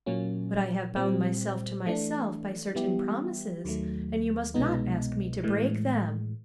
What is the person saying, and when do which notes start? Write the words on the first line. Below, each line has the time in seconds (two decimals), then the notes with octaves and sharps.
But I have bound myself to myself by certain promises, and you must not ask me to break them.
0.06 A#2 F#3 A#3 C#4
0.96 A#2 G3 C4
1.86 E3 A3 D4
2.75 E3 G3 B3 E4 G4
3.65 D#2 D#3 F#3 A3
4.54 C2 B2 G#3 B3 D#4
5.44 A2 E3 G#3